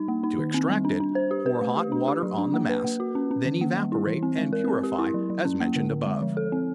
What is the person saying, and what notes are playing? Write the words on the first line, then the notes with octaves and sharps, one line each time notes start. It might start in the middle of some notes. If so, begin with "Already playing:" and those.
To extract it, pour hot water on the mass, then evaporate and purify, as mentioned above.
Already playing: G3 D#4
A#3
D#4
D#3
C4
G3
D4
D4
C5
G4
B4
A3
G4
D4
G4
F#3
D4
A#3
B4
A#3
F#4
C#4
C#4
D#3
A#3
G3
E4
E3
C4
G#3
A#4
C4
G4
E4
F#3
F#3
C#4
A#3
D3
D3
G#3
F3
A4
C4